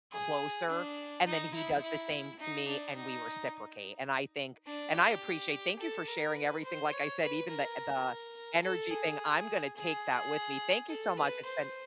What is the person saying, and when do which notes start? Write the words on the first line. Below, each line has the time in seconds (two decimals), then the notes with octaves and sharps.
closer, and then, he does the same to me and we reciprocate, and I think and, I appreciate thank you for sharing everything, like I said, even the the energy thing, I'm gonna take that with me, thank you so much, it's been
0.12 G#4
0.70 D4
1.26 D#4
1.54 E4
1.82 E4
2.39 D#4
2.68 D4
2.96 D#4
4.66 D4
4.94 G4
5.79 A4
6.08 A#4
6.36 B4
6.65 C5
6.93 C#5
7.21 B4
7.50 A#4
8.62 A4
8.91 G#4
9.76 G#4
10.89 A4
11.17 B4
11.45 C5